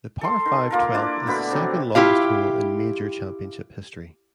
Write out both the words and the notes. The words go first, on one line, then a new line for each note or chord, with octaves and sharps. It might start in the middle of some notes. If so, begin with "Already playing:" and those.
The par five twelfth is the second longest hole in major championship history.
A4 C6
D#3
A#3 F4 A#4
D4 E4 D5
B2 D3 A3 B5
C3 F#3 G3
E4 F4 G4 F5